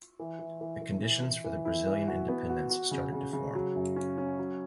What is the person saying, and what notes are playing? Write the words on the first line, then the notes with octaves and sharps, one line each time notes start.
The conditions for the Brazilian independence started to form.
E3
E3
E3
E3
E3
E3
E3
E4
E3
F#4
B3
F#4
F#4
C#3
C#3
C#3
F#3
F#2
C#4
C#4
F#3